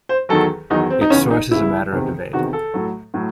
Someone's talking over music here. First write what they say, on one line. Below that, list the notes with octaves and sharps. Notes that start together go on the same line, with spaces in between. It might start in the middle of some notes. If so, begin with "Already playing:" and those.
Its source is a matter of debate.
C5
E2 D#3 F#3 A4
E2 D#3 F#3 D#4
C4
D#4
E2 C#3 E3 C#4
D#4
E2 C#3 E3 E4
E2 C3 D#3
E2 C3 D#3 F#4
A4
A2 F#3
A2 F#3